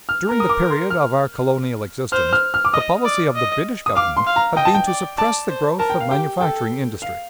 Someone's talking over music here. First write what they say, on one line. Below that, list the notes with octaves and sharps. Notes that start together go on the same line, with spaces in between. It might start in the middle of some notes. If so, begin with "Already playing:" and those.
During the period of our colonial existence, the policy of the British Government had been to suppress the growth of manufacturing industry.
F6
A#4 A#5
D#6
D6
C6
F6
C5 F6
F6
F6
D6
D#5 D#6
D5
D#5
D#6
F5 D6
C6
F5
A#5
D#5 G5
A5
G5
D5
D5 A5
C5
A#4 A5
G5
F5
G4 G5
A4 G5
F5